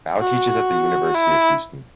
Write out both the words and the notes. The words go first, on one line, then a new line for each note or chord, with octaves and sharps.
Bao teaches at the University of Houston.
F#4
E4